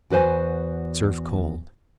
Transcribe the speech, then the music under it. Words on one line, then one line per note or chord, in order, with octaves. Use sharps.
Serve cold.
E2 F#4 B4 C5 G#5